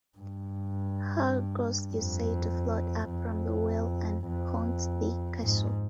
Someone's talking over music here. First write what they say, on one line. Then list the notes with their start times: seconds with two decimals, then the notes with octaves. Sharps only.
Her ghost is said to float up from the well and haunts the castle.
0.18 G2
1.93 F2
3.09 F2
4.27 F2
5.43 G#2